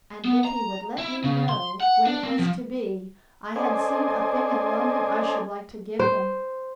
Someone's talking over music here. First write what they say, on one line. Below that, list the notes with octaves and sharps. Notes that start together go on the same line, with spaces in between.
And if he would let me know when it was to be, I had seen a thing in London I should like to give them.
B3
A#5
E4
C#3
C6
F#5
D4
C4
F3
C#4 A4 C5 D5 D#5 G#5
C5